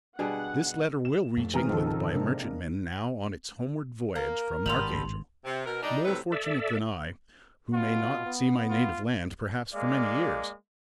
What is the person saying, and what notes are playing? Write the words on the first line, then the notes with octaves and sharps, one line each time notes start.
This letter will reach England by a merchantman now on its homeward voyage from Archangel; more fortunate than I, who may not see my native land, perhaps, for many years.
B2 D3 G3 D4 G#4 F#5
E7
F2 A3
D#3 E3 G#3 C4 G#4 A#5 F6
G#2 C#3 F3 D#4 A4
C3 A#3 D4 A#4
A#3 A#4
G#1 G2 G3 B3 A4 C6 F7 F#7
C3
B2 A#4
G3 D4 D#4
A2 C3 E3 F#3 B4 E5
A4 D5 E5
B2 F4
B3
F4
G#3 A#3 D5 F5